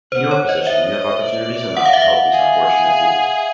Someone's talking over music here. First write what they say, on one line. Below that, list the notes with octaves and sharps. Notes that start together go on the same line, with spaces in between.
In your position you have opportunities enough to help these unfortunate people.
C5 F#5
C#5
D#5
D#5 E5
D5
F#5
F5
E5
F5
G#4